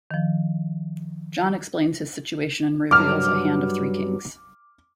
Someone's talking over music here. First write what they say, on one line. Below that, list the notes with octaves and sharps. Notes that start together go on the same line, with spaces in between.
John explains his situation and reveals a hand of three kings.
D#3 F3
G2 F#3 D6 F6